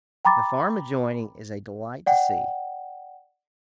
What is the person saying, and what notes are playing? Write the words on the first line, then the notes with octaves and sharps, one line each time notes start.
The farm adjoining is a delight to see.
G5 A#5 B5 D6 A6
D5 F#5 G5